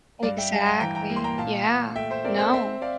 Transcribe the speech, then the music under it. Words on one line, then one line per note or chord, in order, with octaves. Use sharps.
Exactly, yeah. No,
G2 D5 F5
E5 G5
G2 F5 A5
G5 A#5
E3 G5 A#5
G5 A#5
A#3
C6
G5 A#5
A#2 F5 A5
A#2
A3 E5 G5
C5 E5
C4 A#4 D5
A4 C5
C4 C5 E5
D5 F5